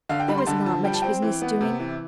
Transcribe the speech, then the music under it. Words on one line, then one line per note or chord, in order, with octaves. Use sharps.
There was not much business doing.
D3 F5
G5
G3 B5
C6
D3 A5
F3 A5
G3 G5
A5
C4 G5
E3
B3
C3
E3